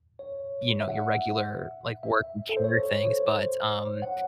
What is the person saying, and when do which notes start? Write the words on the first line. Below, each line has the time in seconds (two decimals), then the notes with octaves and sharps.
you know, your regular, like, work and care things, but, um,
0.19 C#5
0.80 E5
0.89 F#5
0.97 E5
2.03 E5
2.49 A4
2.57 C5
2.64 C#5
2.80 C#5
2.95 C5
3.10 A4
3.26 C5
3.87 C#5
4.02 F#5